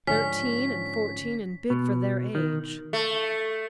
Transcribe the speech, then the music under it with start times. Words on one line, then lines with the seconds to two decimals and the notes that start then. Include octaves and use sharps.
Thirteen and fourteen and big for their age.
0.07 G#2 D3 F3 C#4 B6
1.70 B2
2.35 D#3
2.93 A3